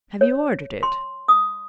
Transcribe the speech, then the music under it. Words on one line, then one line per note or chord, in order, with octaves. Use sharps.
Have you ordered it?'
C#5
C6
D#6